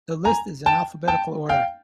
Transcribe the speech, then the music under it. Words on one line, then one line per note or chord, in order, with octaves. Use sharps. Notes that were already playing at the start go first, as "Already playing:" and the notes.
The list is in alphabetical order.
G#5 A#5
G5 A5
G5 A5
F5 G5